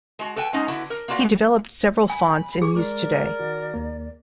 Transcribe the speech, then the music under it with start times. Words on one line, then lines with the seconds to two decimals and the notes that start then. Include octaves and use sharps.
He developed several fonts in use today.
0.19 G#3 F#4
0.36 A4 B4 G5 G#5
0.53 G#3 B3 C#4 D#4 D#5
0.68 D3 B3 E4 F#4
0.90 A#4
1.08 A#3 B3 F4 F#4 D5
2.10 G#5 B5
2.62 G#4 C#6 D6
2.76 G#3 A#4 D5
3.40 D#3 F#4
3.74 D#2 A#3